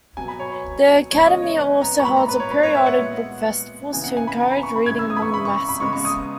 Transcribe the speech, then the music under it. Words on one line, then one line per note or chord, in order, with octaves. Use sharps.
The Akademi also holds periodic book festivals to encourage reading among the masses.
B2 F#3 B3 G#5
B5
C#5
C#3 E3 G#3 B3 C#5
D#5
C#5
B4
A#5
C#6
A#2 G#3 B3 B5
A#5
B4
C#5
B4
C#5
E5
F#5
A#2 G#3 B3
C#3 E3 B3 G#5
F#5
G#5
B5
A#5
B5
C#6
B5
C#3 E3 G#3 B3 G#6
E6
D#6
B5
C#6
B5
C#6
B5
C#3 G#3 B3 C#6
C#6
D#6